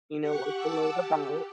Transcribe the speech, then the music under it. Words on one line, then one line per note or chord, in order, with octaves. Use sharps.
you knew it was below the belt
G4 F#5 C#6 F#6
F#5 A5 D6 E6
G4